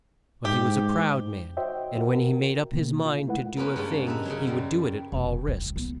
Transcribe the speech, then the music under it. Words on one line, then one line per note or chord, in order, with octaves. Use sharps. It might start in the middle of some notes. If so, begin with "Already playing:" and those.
But he was a proud man, and when he made up his mind to do a thing he would do it at all risks.
G#2 G4
F#4 C5 C#5 D#5 E5 G5
F#4 A#4
B2 D3 D#3 A#3
F4
G#3 A3 E4 B4 F#5
A#3 B3 C#4 B4 C5
G2 C#3 G#3 A#3 B3 C#4
D#4 B4 E5
C#3 F#3
F#2 G3
F1
C#2
B3